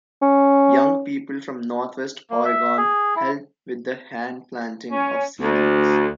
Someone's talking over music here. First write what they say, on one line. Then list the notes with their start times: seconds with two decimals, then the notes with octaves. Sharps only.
Young people from northwest Oregon helped with the hand-planting of seedlings.
0.22 C#4
2.30 A#3
2.45 E5
2.77 G#4
3.16 E4
4.91 C#4
5.39 D2